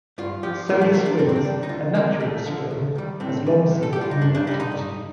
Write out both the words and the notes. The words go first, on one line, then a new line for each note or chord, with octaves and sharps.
Soda Springs, a natural spring, has long seen human activity.
G2 F4
F3 G4
A2 F4
A3
G3 A#3
D4
G2 C4
C4
D4
D#3 G3
D#4
D2 F4
C3 D#3 G3 A#3
D#2 A3
D3 F3
D#2
D#3 G3
A2 C4
G3
A2
A4
G3 G4
F4
D#4
G2 D4
D4
D3 G3 D#4
D#4
G2